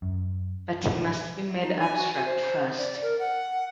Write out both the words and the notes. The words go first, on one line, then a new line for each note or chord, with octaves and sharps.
But he must be made abstract first.
F#2
D#4
G#5
F#4
G#5
C5
D5
A#4
F#5